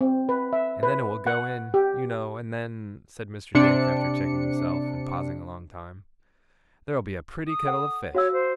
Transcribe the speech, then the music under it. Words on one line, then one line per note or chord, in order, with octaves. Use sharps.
And then it will go in, you know--and then--' said Mr. Dick, after checking himself, and pausing a long time, 'there'll be a pretty kettle of fish!'
C4
B4
E5
B4
F#5
G4
C3 D4 C#7
D#6
A4 F#5
F#4 C#5 F5 E6
C5